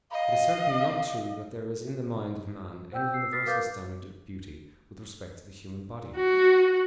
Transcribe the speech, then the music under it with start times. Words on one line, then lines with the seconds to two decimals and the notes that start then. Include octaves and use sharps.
It is certainly not true that there is in the mind of man any universal standard of beauty with respect to the human body.
0.12 D#5 F5
2.92 C5 F#5 G5 E6 G6
3.13 E6 C7
3.32 D#6 F6 A6 B6 C7
3.46 A#4 B4 F5 D6 G6 A6
6.16 F#4